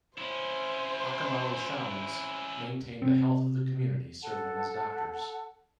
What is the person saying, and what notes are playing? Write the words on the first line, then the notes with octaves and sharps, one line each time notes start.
Achomawi shamans maintained the health of the community, serving as doctors.
C#4 E4 C5
C3 C4
A4 F#5 A5